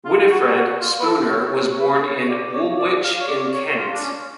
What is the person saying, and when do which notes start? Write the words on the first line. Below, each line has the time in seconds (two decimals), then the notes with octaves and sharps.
Winifred Spooner was born in Woolwich in Kent.
0.05 F4
0.30 F#4
0.55 F#4
0.80 F4
1.00 B4
1.05 A4
1.30 C#5
1.55 C#5
1.79 B4
2.04 C#5
2.29 D5
2.43 D5
2.54 C#5
2.79 D5
3.04 F5
3.20 C#5
3.28 D5
3.53 C#5
3.78 F4
3.93 D4
4.02 C#4